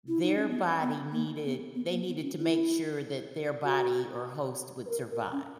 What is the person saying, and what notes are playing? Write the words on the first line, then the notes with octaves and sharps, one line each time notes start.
their body needed they needed to make sure that their body or host would survive
E4
D#4
C#4
B3
B3
A#3
B3
B3
A#3
B3
C#4
E4
F#4
B4
A#4
A#4
C#4